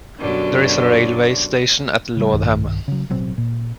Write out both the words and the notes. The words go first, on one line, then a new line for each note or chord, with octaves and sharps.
There is a railway station at Lowdham.
F#2 B2 D3 F#3 G3
C#3 G3
B1 G2 D#3
C#3 F#3
A1 B2 F#3 C4
A#2